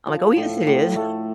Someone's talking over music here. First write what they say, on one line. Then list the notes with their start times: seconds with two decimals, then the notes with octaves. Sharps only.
I'm like, "Oh, yes, it is."
0.07 F3
0.36 A2
0.67 A2
0.96 A3